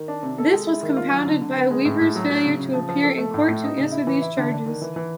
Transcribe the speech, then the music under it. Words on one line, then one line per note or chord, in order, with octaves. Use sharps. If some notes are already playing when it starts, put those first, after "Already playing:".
This was compounded by Weaver's failure to appear in court to answer these charges.
Already playing: D#3
D4
C3
A4
G#3
E4
D#3
F4
F#3
D3
D3
B4
G#3
A2
A2
F#3
F#3
C#3
C#3
F3
F3
A4
A3
A2
A2
D#4
C#3
E4
E3
E4
D3
D4
D#3
E3
E3